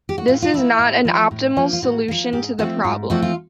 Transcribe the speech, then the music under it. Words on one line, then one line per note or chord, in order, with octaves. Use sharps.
This is not an optimal solution to the problem.
G4
F#4
A2 F4
F4
F3 A#3 E4
A2
F3 A#3
A2
F3 A#3
F4
A2 F#4
F3 A#3
G#2 G4
F3 A3 C4 F#4
G#2 F4
F3 A3 C4 F#4
F4